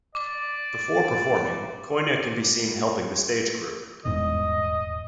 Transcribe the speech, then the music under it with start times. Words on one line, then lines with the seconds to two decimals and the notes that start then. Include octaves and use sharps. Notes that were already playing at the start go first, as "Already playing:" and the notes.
Before performing, Coyne can be seen helping the stage crew.
0.15 D5 D6
4.05 D#1 E2 G#2 D#5